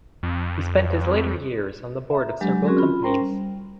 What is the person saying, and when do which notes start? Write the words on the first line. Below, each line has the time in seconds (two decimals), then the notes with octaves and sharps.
He spent his later years on the board of several companies.
0.23 F2
2.11 E5 A#5
2.41 F#3 G#3 D4 G4
2.66 C4 C#4 F#4 G#4 A#4
2.79 F4 B5
3.02 C#4 A#4 C5 G5 A#5 C6
3.20 G3